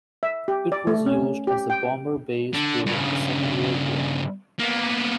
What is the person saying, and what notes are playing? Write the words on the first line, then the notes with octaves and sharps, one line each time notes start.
It was used as a bomber base during the Second World War.
E5
G4
D5
A3
C#4
G4
G5
D3
G2 C#3
A#3 B3